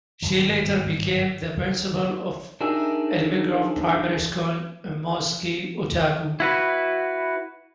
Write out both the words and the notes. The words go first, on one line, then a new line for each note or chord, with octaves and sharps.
She later became the principal of Elmgrove primary school in Mosgiel, Otago.
G#1 G2 C#3 F3
D4 D#4 G4 G#4 A#4 E5
E4 F#4 B4